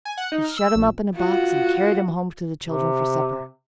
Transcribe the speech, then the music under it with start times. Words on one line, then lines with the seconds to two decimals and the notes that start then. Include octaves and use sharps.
He shut him up in a box and carried him home to the children for supper.
0.05 G#5
0.17 F#5
0.32 D#4
0.44 F6
0.58 E6
0.75 A#1
1.16 F4 F#4
2.63 C3